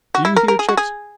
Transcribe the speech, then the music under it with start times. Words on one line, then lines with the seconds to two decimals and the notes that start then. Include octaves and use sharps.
Do you hear, chicks?
0.15 F#4
0.25 E4
0.36 A#4
0.48 A#4
0.59 G#4
0.68 F#4
0.77 G#4